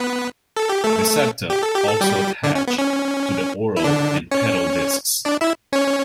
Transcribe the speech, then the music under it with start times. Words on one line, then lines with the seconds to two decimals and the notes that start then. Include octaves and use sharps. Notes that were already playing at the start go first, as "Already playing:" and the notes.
The septa also attach to the oral and pedal discs.
Already playing: B3 B4
0.57 A4
0.69 G4
0.84 A3 A4
1.50 G4
1.63 A4
1.75 G4
1.88 A4
2.01 G3 G4
2.44 D3 D4
2.55 C#4
2.67 B3
2.78 C#4
3.77 E4
3.84 D3 D4
4.31 C#4 C#5
5.25 D4 D5
5.41 E4 E5
5.73 C#4 C#5